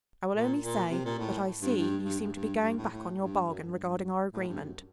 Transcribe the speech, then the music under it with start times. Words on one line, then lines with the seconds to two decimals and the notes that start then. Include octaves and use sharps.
I will only say that I see you seem to be going back on your bargain regarding our agreement.
0.34 A#2
0.63 A#2
0.91 C3
1.05 A#2
1.19 A2
1.62 G2
1.77 G2
2.05 G2
2.20 G2
2.33 G2
2.63 G2
2.77 A2
2.91 A2
3.20 G2
3.48 F#2
3.62 G2
4.33 A2
4.48 G2
4.62 F#2